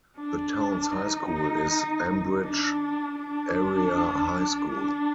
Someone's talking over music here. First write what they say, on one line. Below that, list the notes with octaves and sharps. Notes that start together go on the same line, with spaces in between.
The town's high school is Ambridge Area High School.
D4
D#4
D4
D4
D4